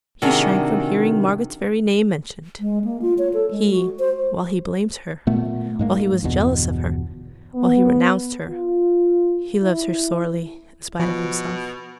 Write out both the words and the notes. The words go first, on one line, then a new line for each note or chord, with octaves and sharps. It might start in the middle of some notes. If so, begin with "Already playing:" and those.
He shrank from hearing Margaret's very name mentioned; he, while he blamed her--while he was jealous of her--while he renounced her--he loved her sorely, in spite of himself.
C3 D#3 D4 D#4 F#4 G#4
G#3
A#3
F4
C#5
A4
G#3
F#4
C5
A#2 A3 B3
G#2 G#3 A#3
G1 E2 B2
B3
F4
E4
B2 F3